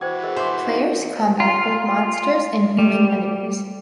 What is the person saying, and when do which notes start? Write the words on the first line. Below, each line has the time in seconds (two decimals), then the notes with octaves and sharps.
Players combat both monsters and human enemies.
0.01 E3 F#4 C5 G5 D6 G#6
0.23 G#4 A#4 D#5
0.36 C5 E5 G#5 C6 D6
0.65 D#4
1.40 F4
2.79 G3